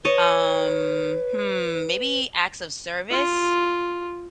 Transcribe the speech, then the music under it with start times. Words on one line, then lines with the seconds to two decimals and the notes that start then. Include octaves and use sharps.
um, hmm, maybe acts of service.
0.05 B4 C#5 D#5 A5
3.11 F4